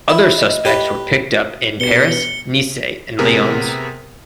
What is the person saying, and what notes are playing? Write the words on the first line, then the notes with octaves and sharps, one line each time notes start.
Other suspects were picked up in Paris, Nice and Lyons.
E4 F4
D#5
G4 B4
G2 B2 C#7 G7
C3 B3 G#4 A#4